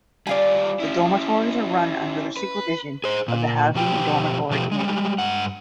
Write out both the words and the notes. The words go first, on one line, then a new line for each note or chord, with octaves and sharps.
The dormitories are run under the supervision of the Housing and Dormitory Committee.
G3 F4 D5 F5 G#5
C#4 E4
B4
G#4 C5
A#2
B2 F3 G4 G5
B2 F3 A3 G4
G3 G#3
G2 F#5